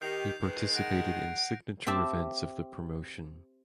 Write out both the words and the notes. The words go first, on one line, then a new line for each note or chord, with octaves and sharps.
He participated in signature events of the promotion.
D#3 G4 G6 C7 F7
D#3 G#3 B4
F#5 F#6 A#6 D7
C4 G4 E5 A5